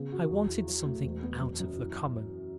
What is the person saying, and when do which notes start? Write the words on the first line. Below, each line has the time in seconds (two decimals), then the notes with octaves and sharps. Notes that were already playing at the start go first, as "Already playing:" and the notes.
I wanted something out of the common.
Already playing: C#3 B3
0.12 F#4
0.31 E2
0.49 E3
0.67 F#3
0.86 A3
1.04 E1
1.23 B3
1.41 F#2
1.60 F#2
1.78 E3